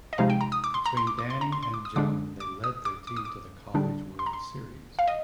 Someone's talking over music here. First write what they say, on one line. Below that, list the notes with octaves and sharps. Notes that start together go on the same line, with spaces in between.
Between Danny and John they lead their team to the college World Series.
D#5
C3 F3 G#3 D#4 F5
G5
A#5
D#6
D6
C6
A#5
C6
D6
D6
C6
A#5
C6
C6
D6
D#6
D3 G#3 D4 D6
D6
D#6
D6
D6
D#6
D6
D3 G3 D4
C6
A#5
C6
F5
D#5